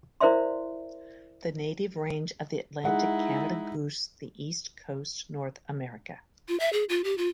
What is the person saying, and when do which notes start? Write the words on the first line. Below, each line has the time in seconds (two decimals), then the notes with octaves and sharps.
The native range of the Atlantic Canada goose the east coast North America.
0.21 E4 A#4 C5 D5 E5 C6
2.84 G#3 D#4 E4 F#5
6.48 F4
6.60 E5
6.73 G#4
6.89 F4
7.04 G4
7.18 F4